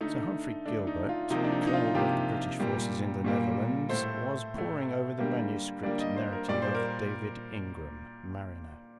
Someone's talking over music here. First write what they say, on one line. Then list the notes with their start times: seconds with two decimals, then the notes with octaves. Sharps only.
Sir Humphrey Gilbert, colonel of the British forces in the Netherlands, was poring over the manuscript narrative of David Ingram, mariner.
0.01 D3 A3 D#4
0.66 D3 A3 D4
0.87 D#4
1.09 F4
1.30 C3 F3 A#3 D#4
1.44 D4
1.52 D#4
1.67 D#4
1.73 F4
1.95 C3 F3 A#3 G4
2.60 A#2 G3 A#3
3.24 A#2 G3 A#3
3.89 A2 A3 C5
4.54 A2 A3
5.18 D3 G3 A#3
5.83 D3 G3 A#3 D5
5.99 D#5
6.16 C5
6.33 A#4
6.48 A#2 G3 A#3 D5
6.62 C5
6.75 A#4